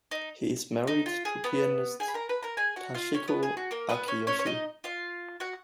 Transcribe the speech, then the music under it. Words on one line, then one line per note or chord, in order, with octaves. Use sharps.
He is married to pianist Toshiko Akiyoshi.
D#4
D#4
F4
G#4
B3 B4
G#4 G#5
B5
A#4 A#5
B4 B5
A#4 A#5
G#4 G#5
F#4 F#5
F4 F5
C#4 C#5
B3 B4
G#4
F#4
A#3 A#4
B3 B4
C#4 C#5
C#4 C#5
C#5
D#4 D#5
F4 F5
F#4 F#5